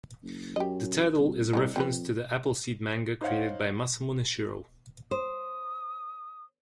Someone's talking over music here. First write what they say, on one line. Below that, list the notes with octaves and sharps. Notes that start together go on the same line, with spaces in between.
The title is a reference to the Appleseed manga created by Masamune Shirow.
F#1
F#2 G4 D#5
C2
C2 D3 G#3 D#4
F2 C4 G4 B4
D#4 C5 C#5 F5 F#5
C5 D#6